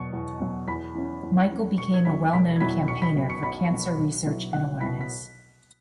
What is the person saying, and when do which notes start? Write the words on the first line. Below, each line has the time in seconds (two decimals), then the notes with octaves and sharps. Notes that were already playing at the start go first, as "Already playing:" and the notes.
Michael became a well-known campaigner for cancer research and awareness.
Already playing: E2 B2 F#3 C#6 C#7
0.13 E2
0.40 B2 F#3
0.68 E2 B5 B6
0.95 E3 C#4
1.23 E2
1.50 E3 C#4
1.78 E1 C#6 C#7
1.94 G#6
2.05 E2 B2 F#3 E4 B5 B6
2.33 E1 B5 B6
2.56 G#6
2.60 E2 B2 F#3 E4 B5 B6
2.88 B1 C#6 C#7
3.02 B5 B6
3.16 B2 F#3
3.29 C#6 C#7
3.43 B1 B5 B6
3.71 B2 F#3
3.98 B1
4.26 B2 F#3 E4
4.53 B1 F#5 F#6
4.80 B2 F#3 E4 B5 B6
5.01 B6